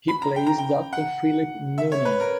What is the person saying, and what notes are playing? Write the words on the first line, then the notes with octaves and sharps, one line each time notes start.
He plays Doctor Philip Noonan.
B5
A#5
G5
A#5
G5
F#5
E5
C#5
B4
A#4